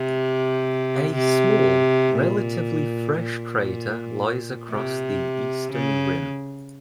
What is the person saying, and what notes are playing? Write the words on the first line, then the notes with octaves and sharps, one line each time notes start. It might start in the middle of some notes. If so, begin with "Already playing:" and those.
A small, relatively fresh crater lies across the eastern rim.
Already playing: C3
C3
A#2
A#2
C3
C#3